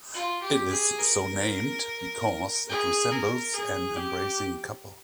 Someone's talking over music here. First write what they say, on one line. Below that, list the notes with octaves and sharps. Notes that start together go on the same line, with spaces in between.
It is so named because it resembles an embracing couple.
F4
G4
G#4
A#4
G#4
A#4
G#4
G4